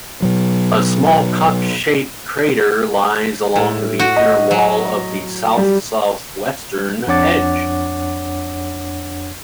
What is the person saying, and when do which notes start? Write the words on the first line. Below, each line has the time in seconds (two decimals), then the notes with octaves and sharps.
A small, cup-shaped crater lies along the inner wall of the south-southwestern edge.
0.22 B2 F#3
3.56 A2
3.99 F#4
4.16 D#5
4.51 F#3
5.57 G3
7.07 F2 D4 C#5 F#5 D6 A6